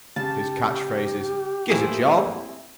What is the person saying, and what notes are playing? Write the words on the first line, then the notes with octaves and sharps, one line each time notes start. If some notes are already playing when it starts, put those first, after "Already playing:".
His catchphrases, Gizza' job!
C#3 G4 A5
A2 A3 A#3 C4 E4 G#4